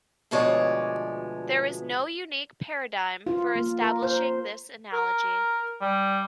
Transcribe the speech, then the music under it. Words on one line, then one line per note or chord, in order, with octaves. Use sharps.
There is no unique paradigm for establishing this analogy.
D2 B2 F3 G#3 C#5 D5
F4
A#3
A#4
C5
A#4
G3